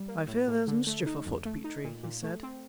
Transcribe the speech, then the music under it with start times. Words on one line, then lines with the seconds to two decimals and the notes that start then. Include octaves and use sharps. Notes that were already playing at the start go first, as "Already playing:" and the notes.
"I fear there's mischief afoot, Petrie," he said.
Already playing: G3
0.08 A#3
0.28 A2
0.48 A2
0.67 D3
0.87 A3
1.06 D#4
1.26 F2
1.45 A3
1.64 D#4
1.84 A#2
2.03 A#2
2.23 A3
2.43 C4